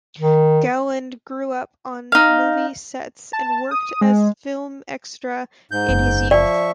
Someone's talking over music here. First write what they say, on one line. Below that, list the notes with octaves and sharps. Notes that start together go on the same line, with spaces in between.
Gowland grew up on movie sets and worked as film extra in his youth.
D#3
D#4 F5
A5
D#6
G#3
G#2 G6
F#1
F3 D5 E5 C#6